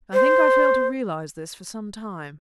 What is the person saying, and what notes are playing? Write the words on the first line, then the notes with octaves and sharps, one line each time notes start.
I think I failed to realize this for some time.
C5